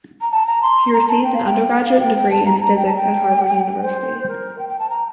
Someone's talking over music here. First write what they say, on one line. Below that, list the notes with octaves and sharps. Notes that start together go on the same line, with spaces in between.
She received an undergraduate degree in physics at Harvard University.
A#5
A5
A#5
C6
A#5
A5
G5
F5
G5
F5
G5
G5
A5
A#5
A#5
G5
A5
G5
C5
A#4
G5
G5
A5
A#5